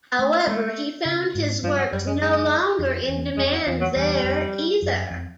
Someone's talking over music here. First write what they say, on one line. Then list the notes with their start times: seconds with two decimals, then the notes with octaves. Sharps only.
However, he found his works no longer in demand there either.
0.19 A3
0.47 G#3 A3
1.05 C#3
1.35 G#2
1.63 G2 F3
1.78 F#3
1.92 F#2 G3
2.07 G#3
2.22 G#3
2.79 F2
3.08 E2
3.37 F2 G#3
3.52 F#3
3.66 E2 F3
3.81 F#3
3.95 E2 G3
4.24 F2
4.82 F#2
5.11 F2